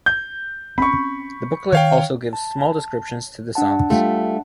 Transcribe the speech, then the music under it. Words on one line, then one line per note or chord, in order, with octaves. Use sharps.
The booklet also gives small descriptions to the songs.
G6
C4 C#4 B5 C#6
D#3 C#5 F5 G5
A5
D4 F#5 A5
G3 A3 F4